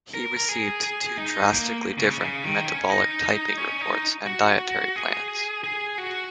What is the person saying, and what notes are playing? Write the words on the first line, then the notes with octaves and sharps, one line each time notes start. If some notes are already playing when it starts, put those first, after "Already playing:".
He received two drastically different "metabolic typing" reports and dietary plans.
A#4
A#4
G#4
G#4
D#4
A#3
C#3
C#3
D#3
C#4
D#4
C#4
D#4
F#4
G#4
G#4
F#4